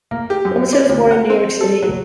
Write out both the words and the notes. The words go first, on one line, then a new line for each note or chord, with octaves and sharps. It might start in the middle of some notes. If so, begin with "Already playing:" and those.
Robinson was born in New York City.
A#3
G4
F#2
D5
D2
F#5
C4
A4
F#3